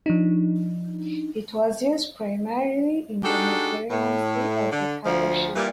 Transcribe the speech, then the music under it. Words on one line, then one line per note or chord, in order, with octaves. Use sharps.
It was used primarily in the Mediterranean Sea as a cargo ship.
F3 D4 D#4
G#3 D4 D#4 F#4 G4 A4
A2
D3
D2 F3
A#2 E3 G3